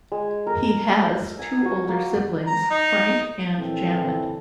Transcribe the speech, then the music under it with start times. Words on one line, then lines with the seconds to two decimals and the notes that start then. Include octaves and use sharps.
He has two older siblings, Frank and Janet.
0.12 G#3
0.47 A#4
0.89 E5
1.39 G#5
1.65 F#4
1.89 A#3
2.46 A#5
2.70 D#4
3.58 A#2 D3 E3 C4 E4 A4